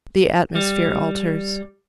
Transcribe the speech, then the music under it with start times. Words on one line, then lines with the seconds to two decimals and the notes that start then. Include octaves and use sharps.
The atmosphere alters.
0.55 G3